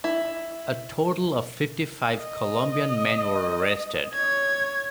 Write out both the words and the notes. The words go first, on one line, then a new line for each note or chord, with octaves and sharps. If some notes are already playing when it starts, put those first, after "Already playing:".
A total of fifty-five Colombian men were arrested.
E4
D#5
C#5 G#6